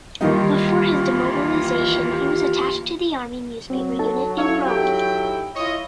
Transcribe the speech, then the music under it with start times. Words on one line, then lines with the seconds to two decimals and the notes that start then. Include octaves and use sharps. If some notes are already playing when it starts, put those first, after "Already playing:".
Before his demobilisation he was attached to the Army Newspaper Unit in Rome.
0.21 D#2 D#3 E3 G3 D#4 F4 G4
2.12 G4
3.70 F#3 C4
3.99 D#4 A4 A5
4.37 C#4 E4 A4 C#5 F5
4.66 D#4 E4 G4 A4 G5
5.56 E4 F4 C#5 D#5